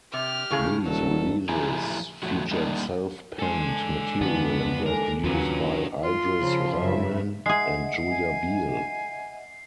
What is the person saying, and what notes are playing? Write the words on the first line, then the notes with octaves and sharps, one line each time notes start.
These releases featured self-penned material and were produced by Idris Rahman and Julia Biel.
C3 G4 F6
A2 C#3 G#4
D#1 F#3 A4
F3 A3 E4 G4 G#5 A#5
E2 A2 F3 A3 F#4
G3 A#3 D4 D#4
G#3 D4 A4 G#5 C6
F2 D3 B3
A4 A#4 G#5
D#2 C#3 F#3 D4 F4 B4
F4 C6
C#3 F3
F#2 C#3 E5
G#3 G#4 D#5 E5 F#5 C7
G#5